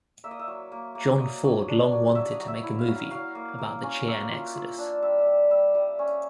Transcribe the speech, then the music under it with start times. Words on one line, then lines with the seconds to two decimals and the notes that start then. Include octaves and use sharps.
John Ford long wanted to make a movie about the Cheyenne exodus.
0.24 A#3 E5
0.31 D#5
0.39 E5
0.47 F#3
0.72 A#3
0.95 A#3
1.20 F#3 D#5
1.44 F#3
1.68 D4
1.92 F#3
2.15 F#3 E5
2.32 D#5
2.40 F#3
2.48 E5
2.63 E4
2.79 F5
2.88 F#3
2.95 F5
3.11 F#3 F5
3.35 A#3
3.59 A#3
3.83 C#4
4.07 A#3 E5
4.31 F4
4.55 F4
4.78 D4
5.02 G3 E5
5.18 E5
5.27 G3
5.50 G3 E5
5.75 G3
5.99 C#4